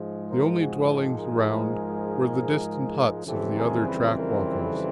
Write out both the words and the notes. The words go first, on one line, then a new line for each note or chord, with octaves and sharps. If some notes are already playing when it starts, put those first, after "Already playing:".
The only dwellings around were the distant huts of the other track-walkers.
Already playing: G#2 F3 G#3
A#4 C5
F#4 G#4
G4 A4
G#4 A#4
G#4 A#4
F2 C#3 E3 G3 C4 G4 A4
G#4 A#4
A4 B4
A#4 C5
A4 B4